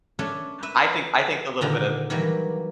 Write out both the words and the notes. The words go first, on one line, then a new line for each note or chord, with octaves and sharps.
I think I think the little bit of
A3 C#4 D4 C#5
B4 E5
A#2 D3 D#3
D#3 E3 F#3 G3 A#3